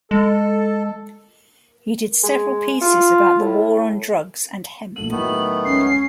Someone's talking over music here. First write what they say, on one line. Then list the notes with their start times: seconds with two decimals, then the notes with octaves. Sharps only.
He did several pieces about the war on drugs and hemp.
0.11 G#3 A4
2.24 G#3
2.81 F4
3.40 A2
4.96 A#1 A3 D#7 F#7
5.11 A2 D#3 F#3 A3 B3
5.65 C#2 C#4 C7